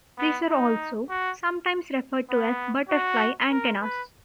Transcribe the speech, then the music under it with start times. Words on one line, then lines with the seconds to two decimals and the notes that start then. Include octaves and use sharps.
These are also sometimes referred to as butterfly antennas.
0.18 B3
0.49 D#4
1.09 F#4
2.30 B3
2.89 F#4
3.51 A#4
3.81 B4